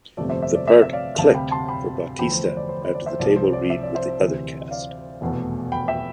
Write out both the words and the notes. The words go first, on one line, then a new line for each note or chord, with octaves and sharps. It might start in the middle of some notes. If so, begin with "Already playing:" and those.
The part "clicked" for Bautista after the table read with the other cast.
G1 F2 C3 F3 A3 D5
C5 E5
C5 E5
D5
C5 E5
E5
D5 F5
D2 C3 G3 F5 A5
G5 B5
A5 C6
G5 B5
E2 D3 F3 A3 G5 B5
C5
C5
D5
C5
C5
D5
C5 E5
C2 C3 F3 D5
C5
D5
E5
D5
C5 E5
D2 C3 E3
D5 F5
F1 E2 B2 A3
G5 B5
E5 G5